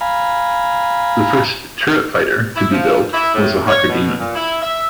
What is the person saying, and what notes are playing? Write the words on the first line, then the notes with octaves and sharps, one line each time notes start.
The first "turret" fighter to be built was the Hawker Demon.
F5 G#5 A#5 B5
E4
F3
E4
A2
C#5
B2
A#2
E4
E5